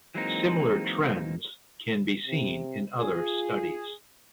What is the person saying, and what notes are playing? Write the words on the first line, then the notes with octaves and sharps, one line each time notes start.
Similar trends can be seen in other studies.
E3 F#3 G#3 A#3 C4 D#4
C3
F4 G#4